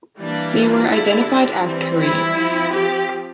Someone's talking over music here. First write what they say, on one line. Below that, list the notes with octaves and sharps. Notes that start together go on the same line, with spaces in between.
They were identified as Koreans.
E3 G3 A#3 D4
F4
D3 G3 D4 E4
E3 G3 C4
E4
F3 C4
G4